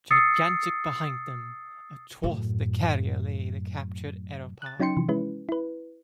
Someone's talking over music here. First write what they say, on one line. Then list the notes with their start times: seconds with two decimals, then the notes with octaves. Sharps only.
Gigantic behind them, athwart the carrier lay the captured aeropile.
0.11 D#6 E6 A6 C7 C#7
2.23 F#2 A2
4.62 F#6 A6
4.80 F#3 C#4 D#4 G5 C6 C#7
4.97 C3 E3 F3
5.09 G#3 C#4 E4 B4
5.49 E4 B4